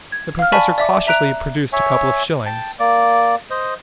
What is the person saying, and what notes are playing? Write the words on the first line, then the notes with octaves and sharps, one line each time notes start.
The Professor cautiously produced a couple of shillings.
G#6
F5 F6
D5 G#5 A5 B5 C#6 B6
D5 E5 D6
E5 A#5 F#6 D7 F7
C#5 E5 G#5
G5 A5
A#3 D5
C5 D#5